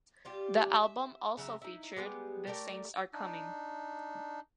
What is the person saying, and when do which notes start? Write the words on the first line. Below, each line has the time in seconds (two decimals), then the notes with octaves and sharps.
The album also featured "The Saints are Coming".
0.25 G3 F4 G4
0.83 E5
1.37 C#3 F#3 E5 A#5
1.62 D#4 E4
1.96 G3 G#3 B3 G4
2.47 A3 G4 A#4 D5
3.14 D4 D#4